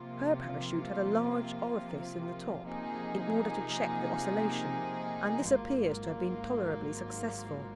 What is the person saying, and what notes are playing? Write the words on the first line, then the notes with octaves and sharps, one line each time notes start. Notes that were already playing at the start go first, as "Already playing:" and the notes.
Her Parachute had a large orifice in the top, in order to check the oscillation, and this appears to have been tolerably successful.
Already playing: C3 F3 A#3 F4
C3 F3 A#3 D#4 G#4
G#1 G#2 F#3 A#3 F4